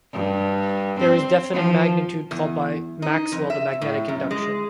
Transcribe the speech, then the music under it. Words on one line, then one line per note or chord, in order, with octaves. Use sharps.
There is a definite magnitude called by Maxwell the magnetic induction.
G2
C4
F3
E2
D#4
F2
E5
A2
F#2
G#3